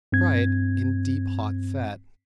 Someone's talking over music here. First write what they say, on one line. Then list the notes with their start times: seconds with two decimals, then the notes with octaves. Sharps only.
Fry in deep hot fat.
0.12 G2 C4 G#6